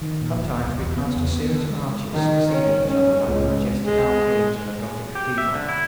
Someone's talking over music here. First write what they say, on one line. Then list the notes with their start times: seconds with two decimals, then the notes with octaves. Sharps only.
Sometimes we passed a series of arches succeeding each other like the majestic arcades of a gothic cathedral.
0.01 D#3
0.21 A#2
0.36 D#1
0.65 C2
0.78 E2
0.97 B3
1.16 E2
1.33 B3
1.52 D3
1.70 G#3
2.12 D#3
2.49 C#4
2.85 C#4
3.25 C#2
3.85 G#3
5.15 G4
5.38 E5
5.54 D3
5.69 E4